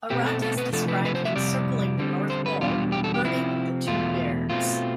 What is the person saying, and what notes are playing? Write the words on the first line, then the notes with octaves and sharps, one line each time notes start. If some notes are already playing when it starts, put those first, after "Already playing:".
Aratus described him circling the north pole, herding the two bears.
B2 A3 C4 G4
A4
A4
B4
C3 F3 A3 D4 A4
B4
B4
C5
E5
F2 C3 G3 D5
D3 G3 C4
C5
B4
E2 B2 G3 D4 F4
G4
A4
G4
C3 F3 C4 E4
E2 B2 A3 F4
B2 A3 C4 F4